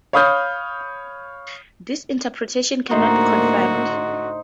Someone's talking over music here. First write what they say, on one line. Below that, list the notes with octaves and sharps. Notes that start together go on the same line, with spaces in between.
This interpretation cannot be confirmed.
C#5 F5 B5 D#6 F6 G6
A2 D3 A#3 D#4 F#4 C5 E5